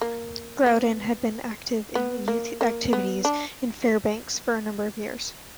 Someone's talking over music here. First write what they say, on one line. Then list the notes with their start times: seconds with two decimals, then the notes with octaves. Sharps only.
Growden had been active in youth activities in Fairbanks for a number of years.
0.01 A#3
0.66 B3
1.95 B3
2.28 A#3
2.61 A#3
2.93 B3
3.25 D4